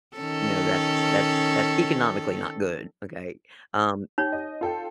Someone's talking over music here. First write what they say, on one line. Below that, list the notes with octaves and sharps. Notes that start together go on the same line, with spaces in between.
you know, that's that's that's economically not good, okay? Um,
D#3 C#4 A4
D#4 G4 C#5
D#5
F4 A4 G5